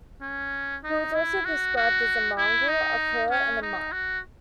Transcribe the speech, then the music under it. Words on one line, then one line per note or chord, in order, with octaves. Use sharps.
He was also described as a mongrel, a cur, and a mutt.
C#4
D#4
E4
F#4
F#4
E4
D#4
C#4
D#4
F#4